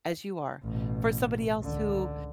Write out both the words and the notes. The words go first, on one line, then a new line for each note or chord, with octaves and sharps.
as you are, for somebody else who
A1 B2
C#2 D3